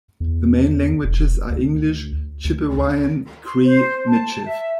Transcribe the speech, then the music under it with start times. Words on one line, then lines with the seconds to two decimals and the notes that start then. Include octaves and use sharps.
The main languages are English, Chipewyan, Cree, Michif.
0.20 E2
1.04 E1
1.50 D2
2.45 D2
3.44 C6
3.64 C5
4.07 A5
4.45 E5